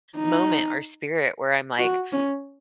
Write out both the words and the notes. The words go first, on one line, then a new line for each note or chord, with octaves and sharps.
moment, or spirit, where I'm like,
D#4
F#4
C#4